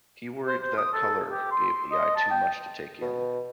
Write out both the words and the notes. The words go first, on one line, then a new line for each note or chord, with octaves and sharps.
He worried that color gave the eye too much to take in.
C5
C5
D#6
A4
G4
C6
D#5
A5
G5
B2